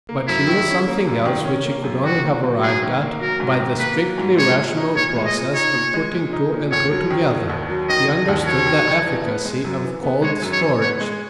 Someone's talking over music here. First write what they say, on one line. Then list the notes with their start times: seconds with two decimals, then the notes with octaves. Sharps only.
But he knew something else, which he could only have arrived at by the strictly rational process of putting two and two together--he understood the efficacy of cold storage.
0.09 A#3
0.28 F#2 E4
0.48 D#3
0.68 C#4
0.87 A#3
1.07 F#2
1.25 D#3
1.45 C#4
1.65 A#3
1.84 F#2
2.04 D#3 F#4
2.24 A#3
2.43 F#3
2.63 G#2 G#4
2.83 D#3
3.01 A#3
3.21 F#3 A#4
3.40 G#2
3.60 D#3
3.79 A#3 B4
3.99 F#3
4.18 G#2
4.37 G#3 C#5
4.57 A#2
4.77 D#4
4.96 A#2 C#5
5.16 G#3
5.26 D#5
5.36 A#2
5.54 D#4 C#5
5.75 A#2
5.94 G#3
6.13 A#2
6.33 D#4
6.52 A#2
6.72 D#2 C#5
6.91 F#3
7.11 D#3
7.30 E1
7.50 D#2
7.70 F#3
7.89 D#3 D#5
8.09 E1
8.28 D#2
8.47 F#3 C#5
8.66 D#3
8.87 E1
9.06 E3
9.25 B3
9.45 G#3
9.65 F#2
9.84 E3
10.03 B3
10.22 G#3 C#5
10.42 F#2
10.52 C#5
10.61 E3
10.81 B3 C#5
11.01 G#3